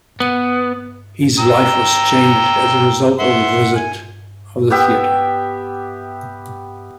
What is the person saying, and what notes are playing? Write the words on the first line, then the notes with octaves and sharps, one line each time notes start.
His life was changed as a result of the visit of the theatre.
B3
G5 A#5 E6
E5 F#5 C6
G#5
B3 G4 E5 G5